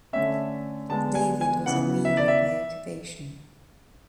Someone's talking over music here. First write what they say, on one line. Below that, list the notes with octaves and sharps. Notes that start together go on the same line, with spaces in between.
David was a weaver by occupation.
D3 A3 C#4 E5
D3 G#3 B3 A5
G#5
G#5
C#3 E3 B3 F#5
E5
D5
E5